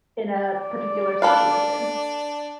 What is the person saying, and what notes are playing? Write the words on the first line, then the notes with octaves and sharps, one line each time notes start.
in a particular situation.
D5
D4 A4 B4 F5